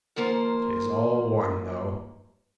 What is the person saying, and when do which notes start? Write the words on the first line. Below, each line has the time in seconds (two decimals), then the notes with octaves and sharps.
'Tis all one, though!
0.16 D#3 F3 A#3 A#4 C5